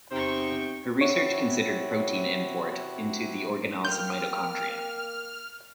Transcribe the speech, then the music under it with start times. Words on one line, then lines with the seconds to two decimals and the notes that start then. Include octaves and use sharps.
Her research considered protein import into the organelles of mitochondria.
0.11 E2 C3 D#4 C5 G5 C#6
1.01 C3 E4 F#4 C#5
3.85 A#3 G5 F6 G6